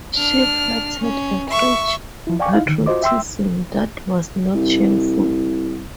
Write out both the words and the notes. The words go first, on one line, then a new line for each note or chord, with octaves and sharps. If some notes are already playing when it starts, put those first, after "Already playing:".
She flattered a French patriotism that was not shameful.
D4 F6
C#4
E5 C#6
F3 E4
D5 F5 G5 G#5 C#6 D6
D#4 E4 F5
D3 D#3
F4 F#4 C5 D#5 D6
E5 G5 C6 E6
C2